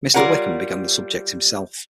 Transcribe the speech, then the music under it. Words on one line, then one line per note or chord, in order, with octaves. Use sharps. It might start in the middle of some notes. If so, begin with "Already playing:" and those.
Mr. Wickham began the subject himself.
G3 F4 A#4 C#5 F#5